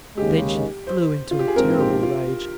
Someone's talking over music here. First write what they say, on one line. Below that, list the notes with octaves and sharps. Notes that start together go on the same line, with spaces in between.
Then she flew into a terrible rage.
D#2 C#3 G#3 G4
C5
F4
G4
G#4
A#1 G#2 F3 C4 A#4
G4
F4